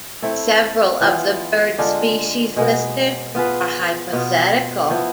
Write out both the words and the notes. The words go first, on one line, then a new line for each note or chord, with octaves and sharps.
Several of the bird species listed are hypothetical.
A3 C4 E4 A4
E3 B3 F4
D3 G#3 D4 F4
B2 G#3 B3
B3 F4 G#4 B4
B2 B3 F4
F3 B3 E4